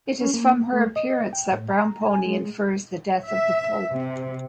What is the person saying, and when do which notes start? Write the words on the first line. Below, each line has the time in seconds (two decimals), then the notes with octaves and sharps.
It is from her appearance that Brownpony infers the death of the Pope.
0.21 C#4
0.34 A#3
0.73 A3
0.96 D#5
1.33 G5
1.52 A2
1.71 A#5
2.06 G#5
2.25 G#3
3.23 E5
3.92 C3